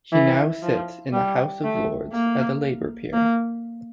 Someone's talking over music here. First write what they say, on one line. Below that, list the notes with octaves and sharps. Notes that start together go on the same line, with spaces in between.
He now sits in the House of Lords as a Labour peer.
E3
F3
G3
A3
A#3
A#3